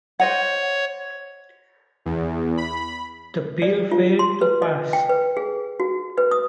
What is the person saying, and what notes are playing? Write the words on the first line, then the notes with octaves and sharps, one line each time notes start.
The bill failed to pass.
C5 C#5 D#5 F#5
E2
B5
D5
F4
C6
B4
D#5
G5
B4
G#4
F#4
B4
D#6